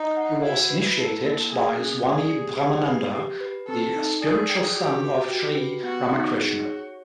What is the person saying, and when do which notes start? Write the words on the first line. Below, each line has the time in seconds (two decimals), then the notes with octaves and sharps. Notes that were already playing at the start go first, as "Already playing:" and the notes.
He was initiated by Swami Brahmananda, the spiritual son of Sri Ramakrishna.
Already playing: D#4 D#5
0.17 F#5
0.43 E4 F#4
0.70 B4
0.97 E4 A4
1.25 A#3
1.52 A#3 G#4
1.79 C#4
2.06 G#4 D5
2.33 G4
2.60 G4 G#4
2.87 B4
3.13 G4
3.41 B4
3.68 C4 A4
3.95 D#4
4.22 G#4 D5
4.49 G5
4.75 F#4 G4
5.04 B4
5.30 F#4
5.58 B4
5.84 B3 F#4
6.12 D#4
6.38 F#4 G#4
6.65 C#5